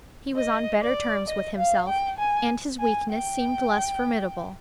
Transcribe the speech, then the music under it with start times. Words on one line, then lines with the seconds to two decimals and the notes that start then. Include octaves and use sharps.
He was on better terms with himself, and his weakness seemed less formidable.
0.36 D#5
0.82 D5
1.28 D#5
1.58 F5
1.88 G5
2.19 G#5
2.80 G#5
3.11 G5